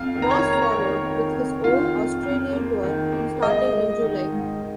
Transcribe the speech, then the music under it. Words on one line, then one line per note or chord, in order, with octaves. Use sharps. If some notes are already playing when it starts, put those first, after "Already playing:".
Moss followed with his own Australian tour starting in July.
Already playing: F2 F5 F6
D#3
A#5
C#5 C#6
A#3
A#5
C#6
D#3 A#4 A#5
D#3
F2
D#3 F4 F5
F2
F2
A#3
D#3
A#3
G#3 D#5
G#3
D#3
G#2
D#3